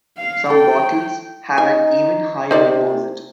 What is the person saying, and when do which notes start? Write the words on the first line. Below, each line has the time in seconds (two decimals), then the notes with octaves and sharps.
Some bottles have an even higher deposit.
0.19 F5
0.50 A4 G5
1.58 D#4 G#5
2.51 C3 D#4 C5 D5